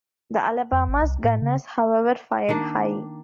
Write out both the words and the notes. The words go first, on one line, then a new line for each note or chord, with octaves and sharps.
The "Alabama's" gunners, however, fired high.
F2
G#1
C2
A2
C#3
D#3 A#3 D4